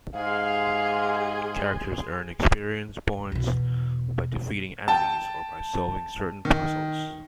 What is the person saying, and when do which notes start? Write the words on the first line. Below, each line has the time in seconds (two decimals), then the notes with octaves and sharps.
Characters earn experience points by defeating enemies or by solving certain puzzles.
0.15 G#2 G4 G#4 F5 G#5 C6
3.32 E2 B2
4.88 G5 A5
6.45 D#3